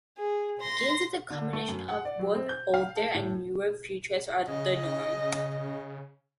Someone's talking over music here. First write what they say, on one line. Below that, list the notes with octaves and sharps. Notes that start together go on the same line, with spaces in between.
Games with a combination of both older and newer features are the norm.
G#4
C6 A#6
D3
A3
F#2
F#5
D5
F#3
C4
G6
F5
A5
A2
C#3 D#5